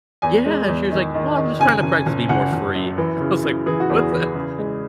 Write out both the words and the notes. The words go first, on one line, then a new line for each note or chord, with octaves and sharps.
Yeah, and she was like, "Well, I'm just trying to practice being more free." I was like, "What's that mean?"
E2 G#5
G#3
E2
D#3
D#3
D#3
F#1 G#5
F#1
F#1
F#1 F#5
F#1
F#2
E3
C#3
C#3
E3 G#4
F#4
E2 G#4
E3
C#3
G#3